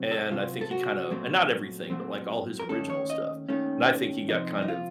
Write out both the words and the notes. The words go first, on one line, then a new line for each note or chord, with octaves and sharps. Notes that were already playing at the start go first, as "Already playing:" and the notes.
and I think he kinda and not everything, but, like, all his original stuff, and I think he got kind of
Already playing: C3 F#3 C4
A4
C3 F#3 C4 F4
A4
F#4
A#2 F#3 A3 C4
A#2 F#3 A3 C4
A#4
D#2 D#3 A3 C#4 A4
C#5
D#5
D#2 D#3 A3 C#4
F2 C3 F3 C4 D#4
D#4
F4